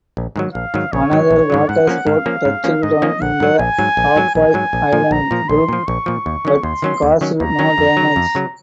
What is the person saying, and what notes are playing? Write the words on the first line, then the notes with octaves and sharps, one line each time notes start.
Another waterspout touched down in the Ha’apai island group but caused no damage.
A#1
G#2 D#3 F#3
A#1 F5
G#2 D#3 F#3
A#1 C#5
G#2 D#3 F#3
A#1
G#2 D#3 F#3
G#2 F#5
F3 A#3 C#4
G#2 F5
F3 A#3 C#4
G#2
F3 A#3 C#4
G#2 D#5
F3 A#3 C#4
A#1 F#5
G#2 F#3
A#1 G#5
G#2 F#3
A#1
G#2 F#3
A#1 G#5
G#2 F#3
A#1
A#2 F3
A#1 A#5
A#2 F3
A#1 C6
A#2 F3
A#1 C#6
A#2 F3
D#2
D#3 F#3 C#4
D#2 C6
D#3 F#3 C#4
D#2
D#3 F#3 C#4
D#2 A#5
D#3 F#3 C#4
F2
C#3 F#3
F2
C#3 F#3